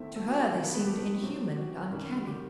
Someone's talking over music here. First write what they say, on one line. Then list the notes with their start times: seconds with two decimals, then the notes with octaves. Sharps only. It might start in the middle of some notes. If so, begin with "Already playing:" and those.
To her they seemed inhuman and uncanny.
Already playing: E2 D#3 A3 C4 E4 E5
0.16 A3 A4
0.28 F#4
0.39 G4
0.51 C3 D#3 F#3 A3 C4 A4
0.63 B3 B4
0.74 B3 B4
0.87 G4
1.22 C3 F#3 C4
1.57 F#4
1.92 F#2 D#3 G3
2.27 G4